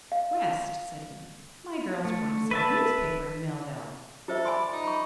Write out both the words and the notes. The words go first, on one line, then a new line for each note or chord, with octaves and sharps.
"West," said he, "my girls are going to start a newspaper in Millville."
F5
A3
B4 E5 A5
F4 A4 C5 E5
D5 G#5 B5 C6
D#4
B5 C#6